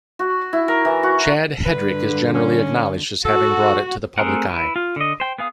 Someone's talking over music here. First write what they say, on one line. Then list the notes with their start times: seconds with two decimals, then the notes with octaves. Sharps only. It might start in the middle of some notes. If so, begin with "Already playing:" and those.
Chad Hedrick is generally acknowledged as having brought it to the public eye.
0.19 F#4
0.53 E4
0.68 A#4
0.85 E3
1.03 F#4
1.65 G2 D3 B4
2.34 C#4
3.25 F#4 A4
4.18 A3 C4 G#4 A#4 F#5
4.50 E4 B4
4.76 F4
4.96 D3 D#5
5.20 C5 G5
5.38 B3 G#4 F5 D#6